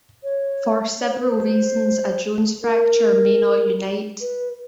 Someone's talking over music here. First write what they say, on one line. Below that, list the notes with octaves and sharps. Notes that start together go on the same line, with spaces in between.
For several reasons, a Jones fracture may not unite.
C#5
C#5
C5
B4
C5
A#4
B4